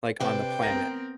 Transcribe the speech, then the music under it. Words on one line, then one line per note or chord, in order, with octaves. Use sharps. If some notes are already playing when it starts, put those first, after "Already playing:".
like, on the planet.
C3 D4 B4 C5 G5
B3 C4 A#4 A#6